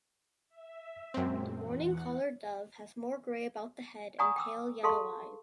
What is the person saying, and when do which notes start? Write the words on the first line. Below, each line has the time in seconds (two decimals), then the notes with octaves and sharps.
The mourning collared dove has more grey about the head, and pale yellow eyes.
0.49 E5
1.14 F#2 A#2 G#3 C4
1.58 E2 E3 F#5
4.19 D5 F#5 G#5 A#5 C#6 D#6
4.36 G5 D6 E6
4.83 G#4 A4 F5 A5 C6 C#6